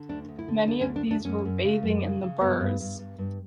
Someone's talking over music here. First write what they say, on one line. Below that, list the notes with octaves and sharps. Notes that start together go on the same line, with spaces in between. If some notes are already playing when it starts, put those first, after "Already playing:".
Many of these were bathing in the Birs.
Already playing: D3
D2 D4
D2
E4
D3
D2 D4
C#4
D2
D4
D2 D4
F#2 C#4
F#2
C#3
F#2
C#3
C#3
G2 B3
G2
G2
G2
G2